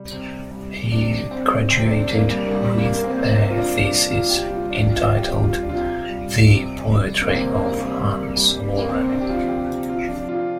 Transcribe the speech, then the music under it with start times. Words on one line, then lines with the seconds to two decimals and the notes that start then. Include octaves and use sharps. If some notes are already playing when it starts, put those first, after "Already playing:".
He graduated with a thesis entitled 'The Poetry of Hans Warren'.
Already playing: C3 G3
0.11 C3
0.51 G3
0.91 C3 D4
1.31 G3 C4
1.71 C3 C4
1.91 D4
2.11 G3 A#3
2.30 G3
2.47 A#3
2.50 C3 G3
2.78 A#3
2.91 G3 A#3
3.04 C4
3.30 C3
3.50 F4
3.57 D4
3.70 G3
3.84 D4
4.10 C3 F4
4.30 G4
4.50 G3 F4
4.70 D4
4.90 C3 F4
5.17 G4
5.30 G3
5.43 F4
5.63 D4
5.69 C3 F4
6.09 G3
6.49 C3
6.90 G3
7.22 A#3
7.29 C3 C4
7.56 A#3
7.69 G3 A#3
7.83 G3
8.09 C3
8.36 G3
8.49 G3
8.78 A#3
8.89 C3 C4
9.09 D4
9.20 G4
9.29 F3 F4
9.48 G4
9.69 C3
9.89 F4
10.08 F3 D4
10.29 F4